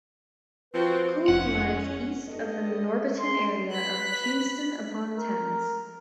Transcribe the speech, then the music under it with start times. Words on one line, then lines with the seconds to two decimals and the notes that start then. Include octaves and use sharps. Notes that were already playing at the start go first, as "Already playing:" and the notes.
Coombe lies east of the Norbiton area of Kingston upon Thames.
0.74 F3 C4 F#4 B4
1.28 F1 C#4 F#5
2.29 G2 A4 D#5
3.18 G#4 C6
3.71 B4 F#6 B6
5.18 A#4